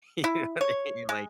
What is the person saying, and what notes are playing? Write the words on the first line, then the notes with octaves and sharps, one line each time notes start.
You know what I mean? Like
E4
C#5
G#3